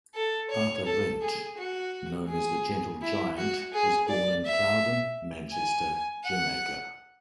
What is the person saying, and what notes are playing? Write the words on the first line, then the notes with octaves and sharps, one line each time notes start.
Arthur Wint, known as the "Gentle Giant", was born in Plowden, Manchester, Jamaica.
A4
C#5
A4
G#4
F#4
G#4
E4
F#4
G#4
D5
E5
G#5
F#5